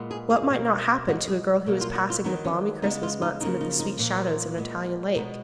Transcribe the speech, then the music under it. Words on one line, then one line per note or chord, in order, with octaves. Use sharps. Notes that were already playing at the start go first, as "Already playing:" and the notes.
What might not happen to a girl who was passing the balmy Christmas months amid the sweet shadows of an Italian lake?
Already playing: A#2 G#3 B3
G#4
G#4
B2 A#3
B2 G#3 B3 F#4
G#4
B2 F#3 A#3
F4
F#4
F4
D#3 F#3 B3 D#4
C#4
C#3 G#3 B3 D#4
F4
D#4
C#3 F3 A#3 D#4
D#4
D#4
A#2 F3 A#3
A#2 G#3 B3
B2 G#3 B3 D#4